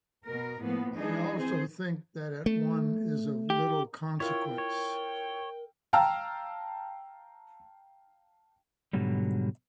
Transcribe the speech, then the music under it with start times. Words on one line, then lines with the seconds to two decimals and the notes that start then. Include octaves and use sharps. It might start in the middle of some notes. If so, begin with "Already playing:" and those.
I also think that it won is of little consequence.
0.24 B2 A#4
0.60 A2 F3 A#3 B3
0.93 E3 G#3 D4 D#4 G#4
1.37 C4 G#4 C5
2.46 A3
3.50 G4
4.20 E4 F4 A#4 C#5 G5
4.58 C#5
5.93 F5 G5 A5 A#5 E6 F6
8.93 G#2 B2 D3 F#3 G3